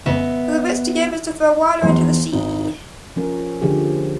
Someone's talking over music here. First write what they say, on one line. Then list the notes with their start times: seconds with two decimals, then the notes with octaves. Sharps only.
For the rich to give is to throw water into the sea.
0.06 F2 C#3 B3 D#5 E5
1.81 E2 F3 C6
2.32 G#1 D#4
3.16 F3 C#4 A#4
3.61 D3 F3 G4 G#4